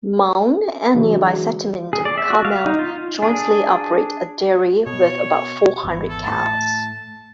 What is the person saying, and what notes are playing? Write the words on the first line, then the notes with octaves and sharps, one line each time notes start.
Ma'on and nearby settlement Carmel jointly operate a dairy with about four hundred cows.
D3 E3 F#3 G#3
G#4
D5
E5
F#4
F5
D#4
F4
D4 G#4
B2 C#5
G#1 E2
A4
A2 A5